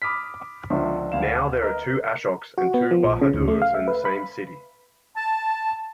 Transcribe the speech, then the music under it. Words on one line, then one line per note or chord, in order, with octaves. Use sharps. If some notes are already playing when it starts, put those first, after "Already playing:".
Now there are two Ashoks and two Bahadurs in the same city.
B5 D6 D#6 F6 B6
C#2 D3 F3 D4 E5 C#6
D2 F5 E7
A#4 B4 D#5
F#4
B3
F3
A#1
C#3
D2
A3
F5
E5
B4
B5
A5